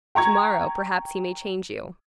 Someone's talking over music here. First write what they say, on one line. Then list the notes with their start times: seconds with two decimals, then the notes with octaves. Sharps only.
To-morrow, perhaps, he may change you.
0.15 G5 A#5 C#6 G#6